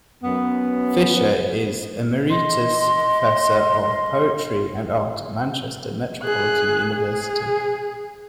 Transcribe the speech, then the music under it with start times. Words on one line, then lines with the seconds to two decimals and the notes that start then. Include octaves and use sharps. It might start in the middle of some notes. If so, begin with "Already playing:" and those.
Fisher is Emeritus Professor of Poetry and Art at Manchester Metropolitan University.
0.24 F#2 B3
2.29 D#5 C6
6.23 G#4 F#6
6.93 G#4